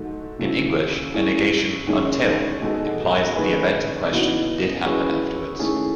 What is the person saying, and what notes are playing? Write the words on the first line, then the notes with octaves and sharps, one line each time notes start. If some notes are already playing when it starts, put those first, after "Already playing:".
In English a negation "until" implies that the event in question did happen afterwards.
Already playing: G#2 F#3 A3 A4
C#3 F#3 A3 E4
E3 A3 C#4 E4 G#4
G#2 D#3 G#3 C#4 G#4
B2 G#3 D#4 A4
D#3 A3 C#4 G#4 B4
C#3 E3 B3 D#4 F#4
F#3 C#4 E4 G#4 B4
D#3 A3 C#4 E4 G#4